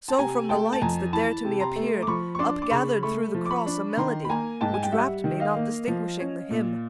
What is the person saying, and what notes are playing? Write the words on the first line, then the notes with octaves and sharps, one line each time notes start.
So from the lights that there to me appeared Upgathered through the cross a melody, Which rapt me, not distinguishing the hymn.
A5
C3 G#5 A#5
A3 G5 A5
A5
F2 G#5 A#5
E3 A5 B5
C3
A#5 C6
A3
D6
F3 B5 C#6
C#6
D4 C6 D6
D6
C#3 B5 C#6
A3 B5 C#6
F3
D6
B5 C#6
D4
D#3 A#5 C6
B5
A#3 G#5 A#5
G#2 G5 A5
G#5
G5
G3 E5 F#5
D#3
D#5 F5
A#3
F3
C#4
A#2